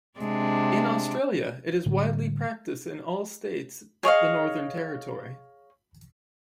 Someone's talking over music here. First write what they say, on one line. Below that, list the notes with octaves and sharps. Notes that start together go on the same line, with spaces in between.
In Australia, it is widely practiced in all states but the Northern Territory.
C3 G#3 D4
A2 D3 G3
G#4 C#5 D#5 F5